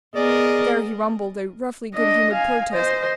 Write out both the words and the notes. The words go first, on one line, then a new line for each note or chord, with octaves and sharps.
There he rumbled a roughly good-humoured protest.
B3 G#4 A#4 D5 D#5
D4 D#5
F5 G#5
C5 D#5